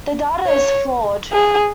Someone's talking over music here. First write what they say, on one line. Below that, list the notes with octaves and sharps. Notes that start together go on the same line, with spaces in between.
The data is flawed.
C#5
G#4